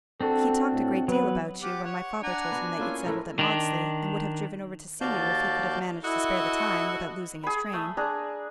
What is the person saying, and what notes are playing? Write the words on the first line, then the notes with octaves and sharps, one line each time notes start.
He talked a great deal about you, when my father told him that you'd settled at Maudesley, and would have driven over to see you if he could have managed to spare the time, without losing his train.
C4 D4 F#4 A4
A2
F#3 B3 B4
F4 G4 F#5 D6
C#5 F#5
D4 F#5 G#5 A#5
B3 F#4
A#3 C#4 E4 F4 G#4
A2 A3 A#4
D#3 D4
D#2 F#4 D5 F5 A5 G6
E4 F#4 A4 D#5
G#4 B5
A3
D4 G#4 A#5